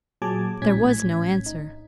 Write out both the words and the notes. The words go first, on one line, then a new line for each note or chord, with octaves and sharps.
There was no answer.
A#2 F#3 G#4 A5 D6 G#6
A#1 A2 C#4 G#6 B6
D#4